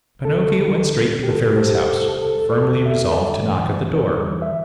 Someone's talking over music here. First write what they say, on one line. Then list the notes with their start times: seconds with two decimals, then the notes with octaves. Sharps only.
Pinocchio went straight to the Fairy's house, firmly resolved to knock at the door.
0.25 D2 A4
0.43 D3
0.60 D3
0.78 D2
0.94 D3
1.12 G3
1.23 G4
1.29 C3 A4
1.47 G3 G4
1.56 C5
1.64 C2 A4
1.81 C2 A4
1.99 C3
2.08 A4
2.16 C2
2.34 E2 A4
2.50 E2 D5
2.69 D3
2.86 E2 E5
3.04 G3
3.12 D5
3.20 D3
3.38 E3
3.56 E3
3.73 E2
3.89 E2
4.07 G3
4.24 E3
4.42 E5